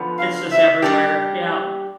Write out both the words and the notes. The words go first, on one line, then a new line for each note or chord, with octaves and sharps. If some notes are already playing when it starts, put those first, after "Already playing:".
It's just everywhere, yeah.
Already playing: D3 F3 B3
F5
E5
G3 D4 G4